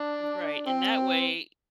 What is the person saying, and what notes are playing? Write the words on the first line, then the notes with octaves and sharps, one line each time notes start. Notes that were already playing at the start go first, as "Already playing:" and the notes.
Right, and that way,
Already playing: D4
C4